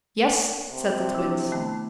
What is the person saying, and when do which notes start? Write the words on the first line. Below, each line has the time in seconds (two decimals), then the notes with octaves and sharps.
"Yes," said the Twins.
0.71 C3
1.15 D4 E4
1.52 D#3 A3 B3